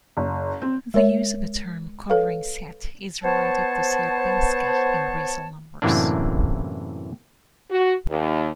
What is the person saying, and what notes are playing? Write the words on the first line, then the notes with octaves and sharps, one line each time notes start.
The use of the term "covering set" is related to Sierpinski and Riesel numbers.
F#1
C4
G#3 A#4 C#5 E5
A4 B4 C#5 F5
B3 C5 C#5 A5
F#2 A2 C3 E3 A#3 D4
F#4
D#2